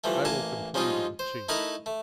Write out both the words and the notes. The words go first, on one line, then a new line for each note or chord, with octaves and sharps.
I will complain to the Chief.
E3 F3 G3 A3
A1 A#3 G#5 A5
F3 G3 G#3 C#4 D#4 F4
C5
A3 D#4 E4 A#4 A#5 B5
A3